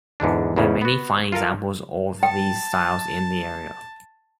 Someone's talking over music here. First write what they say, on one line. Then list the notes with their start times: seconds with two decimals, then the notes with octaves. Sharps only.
There are many fine examples of these styles in the area.
0.20 E2 G#2 D3 D4
0.56 E2 G#2 C#3
0.81 B3 F#4
1.32 F4 A4 A#4 F5
2.23 G5 A5